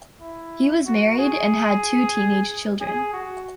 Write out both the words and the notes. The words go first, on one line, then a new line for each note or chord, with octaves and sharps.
He was married and had two teenage children.
E4
F#4
G#4
G#4
F#4